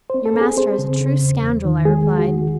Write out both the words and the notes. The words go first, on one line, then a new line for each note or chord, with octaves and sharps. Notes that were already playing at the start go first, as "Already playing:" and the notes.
'Your master is a true scoundrel!' I replied.
C4 C5
A4
C4
G#4
C4 C5
C#3
C#3
E2
E2
D#3
G#3 G#4
E2
F#4
D#3